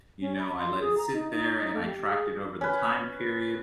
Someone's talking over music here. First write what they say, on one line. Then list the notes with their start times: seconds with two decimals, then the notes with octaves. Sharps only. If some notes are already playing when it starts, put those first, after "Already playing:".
you know, I let it sit there, and I tracked it over the time period,
0.21 C#4
0.39 B5
0.58 C6
0.80 G#4
0.98 A#5
1.13 D#4
1.32 D#4
1.73 A3
1.85 G4
2.09 G#4
2.61 C#4 B4